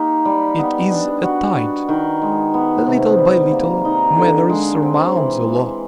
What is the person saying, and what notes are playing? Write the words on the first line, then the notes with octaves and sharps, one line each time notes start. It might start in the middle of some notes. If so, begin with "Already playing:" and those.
It is a tide. Little by little manners surmount the law.
Already playing: A#3 D#4 G4
G3
B3
D4
F#4
G3
D#3
G#3
B3
C3
G3
A#3
D#4
D3
G#3
C4
E3
E3